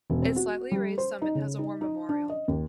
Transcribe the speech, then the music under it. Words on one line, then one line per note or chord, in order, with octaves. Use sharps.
Its lightly raised summit has a war memorial.
E1
C4
F#4
G3
C5
D#4
C#3
D#4
D#4
D4
D#5
D#2